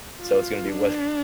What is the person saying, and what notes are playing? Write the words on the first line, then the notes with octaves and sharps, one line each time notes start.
so it's gonna be wha
F4
D4